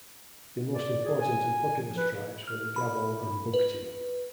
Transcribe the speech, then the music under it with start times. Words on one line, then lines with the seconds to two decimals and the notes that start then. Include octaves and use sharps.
The most important and populous tribes were the Gabol and Bugti.
0.74 D5
1.05 G#4
1.20 G#5
1.79 F3
1.97 B4
2.48 F6
2.76 B5
3.54 B4